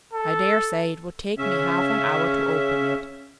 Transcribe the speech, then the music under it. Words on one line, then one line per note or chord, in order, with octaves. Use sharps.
I dare say it would take me half an hour to open it.
A4
C#3 C#4 E5